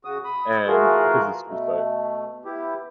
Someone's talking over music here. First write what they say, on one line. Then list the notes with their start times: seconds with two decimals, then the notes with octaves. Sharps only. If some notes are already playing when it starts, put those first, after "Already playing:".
and because it's just, like
0.05 C#3 F#4 D#6
0.25 B5 D#6
0.67 E3 A3 F4 F#4 G#4 A#4
1.47 B2 A3
2.45 B3 E4 G4